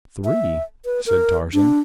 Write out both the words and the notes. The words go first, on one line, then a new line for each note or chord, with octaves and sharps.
"Three?" said Tarzan.
E5
B4
A#4
D4